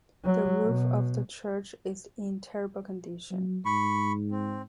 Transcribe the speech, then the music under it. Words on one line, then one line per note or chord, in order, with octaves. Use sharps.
The roof of the church is in terrible condition.
F#3
B2
F#3
G#2 B5 C#6
C4